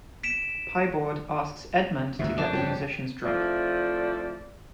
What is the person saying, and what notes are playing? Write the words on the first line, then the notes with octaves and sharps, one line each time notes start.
Pieboard asks Edmond to get the musicians drunk.
B6 D7 E7
D2 G#2 B2 E5
F2 D4
G3 C#4 G4
F3 A3 C4 E4 D5